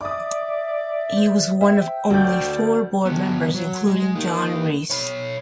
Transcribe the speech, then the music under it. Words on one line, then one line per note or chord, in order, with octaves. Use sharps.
He was one of only four board members, including John Rees.
D5 E5 D6 D#6
C5
C5 E5 G5
D2 F#4 D5 G6
D3 B3
F#3
G#3
A#3 D#4
C#5 B5